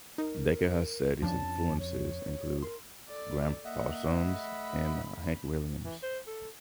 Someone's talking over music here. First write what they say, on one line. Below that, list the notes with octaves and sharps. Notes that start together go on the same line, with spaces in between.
Dekker has said his influences include Gram Parsons and Hank Williams.
D#4 A#4
F2 F3 C#4 D4 A5
C#5
A#4 C6
A4 D5
A#3 D#5 E5 F#5
A3 B5
E3
C5
A4